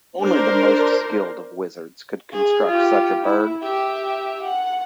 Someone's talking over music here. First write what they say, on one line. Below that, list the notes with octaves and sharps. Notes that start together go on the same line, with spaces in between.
Only the most skilled of wizards could construct such a bird.
D4 A#4 C5
G#4
F4 G4
E4
G4 E5
F#5